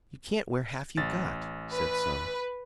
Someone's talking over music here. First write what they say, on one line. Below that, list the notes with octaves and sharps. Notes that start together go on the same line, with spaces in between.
"You can't wear half you've got," said some.
A1 A6
B4